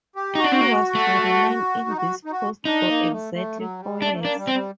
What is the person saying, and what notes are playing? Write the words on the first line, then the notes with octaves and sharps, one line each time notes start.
He was to remain in this post for exactly four years.
G4
D#4 F#4
D4
C4
A#3
A3
D#4
F#4
D#4
F#4
D4 D#4
A#3
A3
A3
F#3
G3
A3 D4
A3
A#3
D4
G3
C4
G3